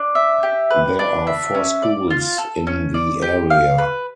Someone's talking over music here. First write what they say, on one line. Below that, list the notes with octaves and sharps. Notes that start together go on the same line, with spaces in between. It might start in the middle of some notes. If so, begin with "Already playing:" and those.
There are four schools in the area.
Already playing: D4
E5
G4
B4
D4
E5
C#4
D5
F4
A4
C#4
D5
G4
F5
B4